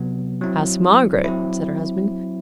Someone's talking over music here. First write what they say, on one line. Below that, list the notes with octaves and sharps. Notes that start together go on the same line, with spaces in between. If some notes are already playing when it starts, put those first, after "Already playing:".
'Ask Margaret,' said her husband.
Already playing: C3 F#3 B3
F#3 C4 E4
F#3 C4 E4